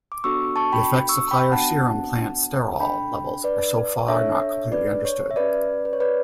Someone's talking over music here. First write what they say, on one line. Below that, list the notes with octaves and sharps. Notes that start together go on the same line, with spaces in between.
The effects of higher serum plant sterol levels are so far not completely understood.
D6
B3 D4 F#4 A4 C#6 E6
A5 C#6
G5 B5
C#6 E6
G5 B5
B3 D4 F#4 F#5 A5
D4 A4 G5 B5
B4 D5
D4 A4 C#5 E5
B4 D5
C#5
E5
C#4 G4 B4 D5
B4
C#5
B4 D5